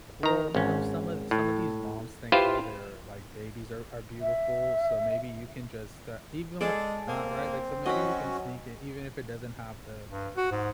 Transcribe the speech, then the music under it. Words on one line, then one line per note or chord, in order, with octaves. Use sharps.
Ju well, you know, some of some of these moms think all their, like, babies are are beautiful, so maybe you can just, uh, even when not right, like, so maybe you can sneak it, even if it doesn't have the
D#3 A#5
G#1 C#4
A2
E4 F4 G4 B4 C5 F5
E5
G#3 G#4 A4 D5
A#3 C4
F#3 C#4 F#4 D#5 B5
G2
F#4
G#2